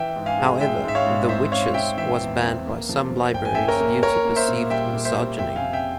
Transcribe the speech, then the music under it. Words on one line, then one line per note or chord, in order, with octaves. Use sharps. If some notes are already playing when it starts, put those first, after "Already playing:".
However, "The Witches" was banned by some libraries due to perceived misogyny.
Already playing: E3 E5 G5
G#2
F5 G#5
G#3
G#3 E5 G5
G#2 E5
C#5 F5
G#2
C4 C5 E5
C4 C#5 F5
C4 E5 G5
E3 E5 G5
E2
C4
A#3
F3
F3
G1 G5
G#5
A#3 E5 G5
A#4 C#5
A#3
A#3 A#4 C#5
A#3
C5 E5
A#2
G3 E5 G5
A#2
C5 E5
G3
F2 E5 G5
F5 G#5
C3
E5 G5